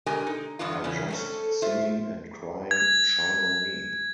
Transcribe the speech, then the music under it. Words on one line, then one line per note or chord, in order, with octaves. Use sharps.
I just singing and crying 'Shine on Me'...
B2 D3 G#3 G4 A#4 G#5
D#4
E2 G2 D3 B3 F4
C#3 E3 C#4
C4 C#4 A4
F4 C5 E5
G#6